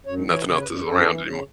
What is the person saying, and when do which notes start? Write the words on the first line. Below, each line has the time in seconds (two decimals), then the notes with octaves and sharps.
nothing else is around anymore.
0.06 F#2 C#5
0.26 E3
0.33 C#5
0.46 C#3 C#5
0.59 B4
0.66 F#2
0.85 F#2 A4
1.05 E3
1.25 C#3